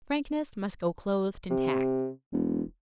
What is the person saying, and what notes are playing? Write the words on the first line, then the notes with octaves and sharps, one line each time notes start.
Frankness must go clothed in tact.
C3
E1